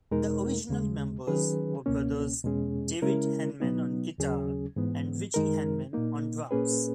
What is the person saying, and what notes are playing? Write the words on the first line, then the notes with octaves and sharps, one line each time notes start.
The original members were brothers David Henman on guitar and Ritchie Henman on drums.
E2 B2 G#3 D#4 A#4
D#2 C#3 G#3
D#3 F#3 C#4 G#4 B4
C#2 B2 A#3 C#4
E2 B2 G#3 C#4 G#4
C#3 G#3 C#4 E4 A#4
B2 F#3 B3 D#4
D#2 C#3 F#3 C#4 G#4
G#2 E3 B3
F#2 D#3 G#3 D#4 A#4
A#2 A#3 D#4
A#2 A#3 C#4 G#4 B4